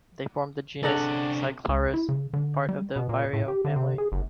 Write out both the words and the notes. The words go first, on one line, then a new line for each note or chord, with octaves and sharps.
They form the genus "Cyclarhis", part of the vireo family.
C3 C#4 D4 G#4 A4 D5 F#5 A#5
C#2
E4
C#3
D3
G3
B2
A#2
A2
G4
D3
C3
G#4
F#1